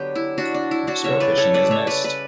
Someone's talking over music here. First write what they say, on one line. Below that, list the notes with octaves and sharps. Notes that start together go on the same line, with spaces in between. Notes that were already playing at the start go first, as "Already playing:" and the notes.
Sportfishing is missed.
Already playing: D3 F#3 B3 D4 G4 B4
E4
D4 F#4
D4
E4
D4 F#4
C#3 G3 C#4 C#5 E5
B4 D5
A4 C#5
B4 D5
C#5 E5
B4 D5
B4 D5